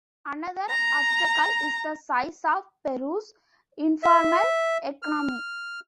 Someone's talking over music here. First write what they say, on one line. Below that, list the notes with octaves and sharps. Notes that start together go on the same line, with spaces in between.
Another obstacle is the size of Peru's informal economy.
A#5
E5
F6